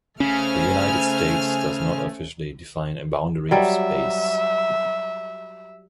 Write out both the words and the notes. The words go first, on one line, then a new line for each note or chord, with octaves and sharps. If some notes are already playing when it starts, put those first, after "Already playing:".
The United States does not officially define a "boundary of space".
C#3 A3 C#4 C5 G#5 F6
F#3 G3 E5